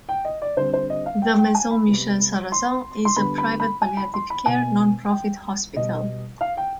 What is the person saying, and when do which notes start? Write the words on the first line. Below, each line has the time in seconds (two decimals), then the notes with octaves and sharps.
The Maison Michel-Sarrazin is a private palliative care, non-profit hospital.
0.09 G5
0.25 D#5
0.42 D5
0.57 D3 G3 C4 C5
0.73 C5
0.90 D#5
1.06 F5
1.22 G5
1.38 G5
1.55 G#5
1.71 B5
1.87 C3 G3 B3
2.52 C6
3.05 C6
3.16 D3 G3 B3 B5
3.38 B5
3.60 B5
3.82 G#5
3.97 B5
4.14 C6
4.30 B5
4.46 B2 B3 G#5
5.11 G5
5.76 B2 G3 B3 D#5
6.41 F5
6.57 G5